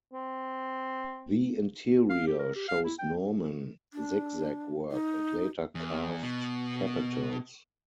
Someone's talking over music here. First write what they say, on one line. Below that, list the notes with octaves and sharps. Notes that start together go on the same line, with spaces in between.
The interior shows Norman zig-zag work and later carved capitals.
C4
F5
G4
A#4
G4
F5
E4
G5
D4
D#4
E2
B2